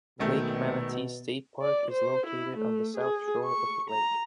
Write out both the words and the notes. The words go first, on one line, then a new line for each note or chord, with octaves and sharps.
Lake Manatee State Park is located on the south shore of the lake.
A#1 B2 D#3 A3
D5
C5
E4
A3
G#4
C#6
A#5